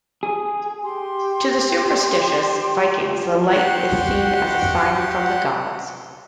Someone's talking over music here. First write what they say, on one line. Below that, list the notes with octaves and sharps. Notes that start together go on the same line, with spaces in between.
To the supersticious Vikings, the light is seen as a sign from the gods.
G#4
G4 C6
F#4 G4 F#5 C6